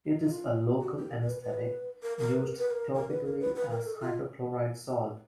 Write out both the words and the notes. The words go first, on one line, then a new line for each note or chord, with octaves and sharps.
It is a local anesthetic, used topically as the hydrochloride salt.
F4
F#4
G4
A#4
A#4
B4
B4
A#4
A#4
B4
A#4
B4
A#4
A#4
B4
A#4
B4
B4
A#4
A4
F4